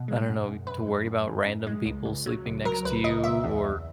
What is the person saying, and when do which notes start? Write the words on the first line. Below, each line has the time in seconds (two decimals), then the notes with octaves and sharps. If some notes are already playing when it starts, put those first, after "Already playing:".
I don't know, w to worry about random people sleeping next to you, or
Already playing: B2
0.08 G#3
0.29 F#2
0.48 F#2
0.67 F#2 B4
0.87 F#2
1.06 F#2
1.27 F#2
1.46 F#2
1.67 G#3
1.86 C#2
2.05 C#2
2.26 F#3
2.45 C#2
2.65 F#3 A#4
2.85 C#2 B4
3.04 C#2 D#5
3.24 C#2 E5
3.44 E2
3.64 E2